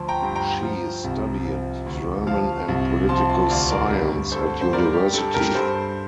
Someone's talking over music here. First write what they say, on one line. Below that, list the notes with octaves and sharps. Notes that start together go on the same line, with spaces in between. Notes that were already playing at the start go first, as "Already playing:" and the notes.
She studied German and Political Science at university.
Already playing: D2 F3 A5 C6
G5 A#5
G2
G5 A#5
F3
C2
F3
D2
F3 F5 A5
C2
F3 A5 C6
A5 C6
D2 D5 F5
A#4 D5
G2
G2 A4 C5
C5
G2 A#4 D5
G4
G2 A4
G4 A#4
G2 A4 C5